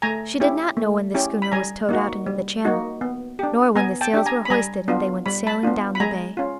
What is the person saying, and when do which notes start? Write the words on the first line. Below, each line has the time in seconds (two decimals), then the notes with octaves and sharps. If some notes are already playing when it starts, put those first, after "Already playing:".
She did not know when the schooner was towed out into the channel, nor when the sails were hoisted and they went sailing down the bay.
0.02 A3 G#5 A#5
0.40 C#4 E4 G4
0.77 A3
1.14 C#4 E4 G4
1.42 B5
1.52 G3 G#5 A#5
1.89 A#3 D#4 F#4
2.26 G3
2.65 A#3 D#4 F#4
3.01 B3
3.39 D4 G4
3.75 B3 G#5 A#5
4.01 G5 A5
4.14 D4 G4
4.26 G#5 A#5
4.45 B5
4.50 G3 G#5 A#5
4.88 B3 D4 F4
5.26 G3 B5
5.47 A5 B5
5.63 B3 D4 F4
5.95 B5
6.00 G#3 G#5 A#5
6.37 C#4 F4